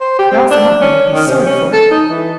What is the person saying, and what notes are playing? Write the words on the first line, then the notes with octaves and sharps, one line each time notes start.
"Rouse him up, or you'll be sorry for it."
C5
G4
C4
D4
C#4
D#3
C3
C#4
A4
D#4
E3